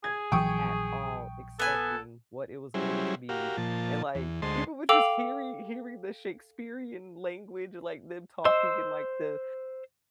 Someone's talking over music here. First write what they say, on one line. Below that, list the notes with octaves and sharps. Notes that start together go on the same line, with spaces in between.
at all, expecting what it was going to be. And like, people were just heari hearing the Shakespearean language, like, them talking in like the
G#4 G#6
A#1 E3 F#3 G5 C#6 D#6
B3 A4 G#5
F#3 G3 C#4 E4 G#4 C5
F#4 G4 A#4 F5
A#2 F3 A5
E2
D2 G#3 C5 D#5 A5 C6
A4 F5 G5 D6 E6 F7
C5 D#5 C6 E6